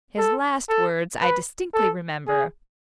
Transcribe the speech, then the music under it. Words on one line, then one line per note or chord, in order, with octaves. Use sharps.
His last words I distinctly remember.
A4
A4
B4
A4
G#4